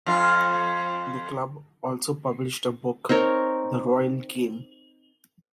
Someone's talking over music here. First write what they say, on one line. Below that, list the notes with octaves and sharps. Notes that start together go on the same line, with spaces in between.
The club also published a book, "The Royal Game".
F2 F4
C4 D#4 A#4 C#5